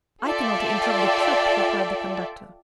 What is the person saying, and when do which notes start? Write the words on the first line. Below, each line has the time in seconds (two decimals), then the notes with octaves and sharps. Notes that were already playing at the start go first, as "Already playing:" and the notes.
"I cannot interrupt the trip," replied the conductor.
0.24 F4 A4 D5 E5 G5